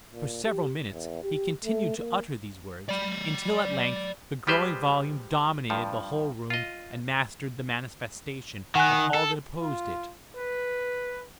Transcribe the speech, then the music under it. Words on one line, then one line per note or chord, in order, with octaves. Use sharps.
For several minutes he continued to utter these words, until at length the growing volume dominated the whole room and mastered the manifestation of all that opposed it.
A#2
G4
E2
G4
A3
A#3
D5 B5
F3 G3 G#3 G4 B4 C5
G2 F3
F4 D#5
D#3 F#5 G#5 F#6
A4
F4
B4